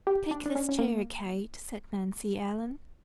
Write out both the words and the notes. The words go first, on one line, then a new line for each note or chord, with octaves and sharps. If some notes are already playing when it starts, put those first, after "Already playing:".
"Take this chair, Kate," said Nancy Ellen.
G4
D4
D4
C#4
C#4
A#3